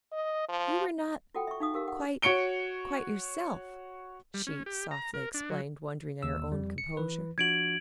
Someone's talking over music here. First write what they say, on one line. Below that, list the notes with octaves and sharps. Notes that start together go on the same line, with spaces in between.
"You were not--quite--quite yourself," she softly explained, wondering at her own composure.
D#5
F3
F4 F#4 A4 F#5 G5
E5 C#6
D#4 F5 D#6
G4 A#4 F5
F#5
F#4 C#5 C#7 D7 G7
G3
C#4
G4
A#5
A#4
D4
F#3
D#2 E6
F2 G3
C#7
E3 B4
F3 D4 F#4 G#6 D7 F#7